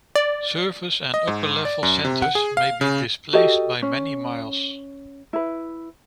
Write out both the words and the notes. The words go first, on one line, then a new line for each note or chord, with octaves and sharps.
Surface and upper-level centers may be displaced by many miles.
D5
D#5
G#2
D5
F#2
C3
F#5
G#4
F5
C#3
F#4 G4 A4 D#5
C#4
E4 B4